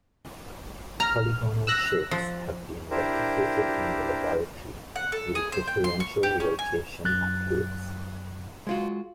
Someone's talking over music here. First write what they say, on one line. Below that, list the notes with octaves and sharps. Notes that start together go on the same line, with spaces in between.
Polygonal shapes have been replicated in the laboratory through differential rotation of fluids.
A#5 F6
E6 F#6 A#6
F3
D4 E4 G4 A#4 C5
F#5
A4
G#4
C5
G5
C6
C#6
G4
C#4
G#5
F#2 F#6 A6
G#3 F4 F#4